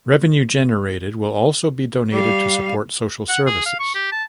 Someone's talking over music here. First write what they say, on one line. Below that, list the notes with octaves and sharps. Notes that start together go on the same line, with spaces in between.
Revenue generated will also be donated to support social services.
G3 F5
F#5
G#4
F5
C#6
G4
A5